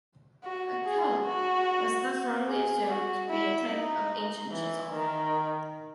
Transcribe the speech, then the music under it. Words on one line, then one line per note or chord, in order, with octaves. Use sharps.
A 'Celt' was thus wrongly assumed to be a type of ancient chisel.
F#4
G#4
F#4
G#4
F#4
E4
D#4
E3
D#3